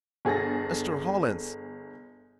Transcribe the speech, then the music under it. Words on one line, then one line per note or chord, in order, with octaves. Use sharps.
"Mr. Hollins!"
G1 G#4 A4 A6 A#6